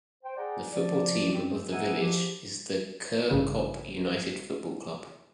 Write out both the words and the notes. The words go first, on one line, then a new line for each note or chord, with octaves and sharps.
The football team of the village is the Kirkop United Football Club.
C5 G5
G#4 D5 F#5 G5 A#5
F3 D5
F#2 C4
D#5 E5 F#5 G#5 A#5
F3 G4
A1 G2 C#3